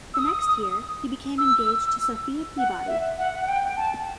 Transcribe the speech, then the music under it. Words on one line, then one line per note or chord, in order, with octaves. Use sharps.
The next year, he became engaged to Sophia Peabody.
E6
D#6
E6
F#5
E5
F#5
F#5
G5
A5